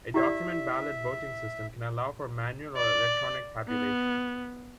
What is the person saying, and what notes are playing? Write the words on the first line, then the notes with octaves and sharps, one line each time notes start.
A document ballot voting system can allow for manual or electronic tabulation.
E4 G4 D5 E5
D5
B3